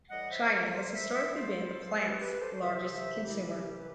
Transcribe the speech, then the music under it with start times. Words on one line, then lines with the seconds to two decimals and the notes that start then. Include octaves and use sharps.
China has historically been the plant's largest consumer.
0.09 A2 E3 G3 D#5 F#5
0.30 C5 E5
0.51 A4 C5
0.72 A4 C5
0.93 C5 E5
1.14 C5 E5
1.27 B4
1.35 A4 C5
1.98 G4 B4
2.19 G4 B4
2.40 A4 C5
2.61 C2 C3 E3 C5 E5
3.24 E4 G4
3.77 B4